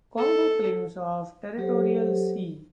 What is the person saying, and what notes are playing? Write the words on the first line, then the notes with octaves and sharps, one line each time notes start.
Congo claims of territorial sea.
A4
F#3 G4 A4 C5 C#5